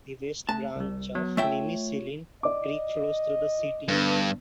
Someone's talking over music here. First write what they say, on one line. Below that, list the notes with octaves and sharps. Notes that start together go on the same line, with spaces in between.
The West Branch of Nimishillen Creek flows through the city.
A3 A5
C2 G3
F#3 B3
A3 F4 C#5 E5 G5
D5 D#5 D6
G2 D3 B3